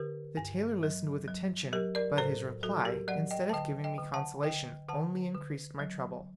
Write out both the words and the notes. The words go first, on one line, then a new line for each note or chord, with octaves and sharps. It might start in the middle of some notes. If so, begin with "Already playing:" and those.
The tailor listened with attention, but his reply, instead of giving me consolation, only increased my trouble.
Already playing: D3 G4 A#4
G2
F#3
F#3
F#3 G4 A#4
A#4 D5
A2 A4 C5
F#3 F#4 A4
G4 A#4
F#3 D5 F#5
D#5 G5
A5
D3 D#5 G5
D#5 G5
D3
F#5 A5
D3 D#5 G5
D3 F#5 A5
D3
F#3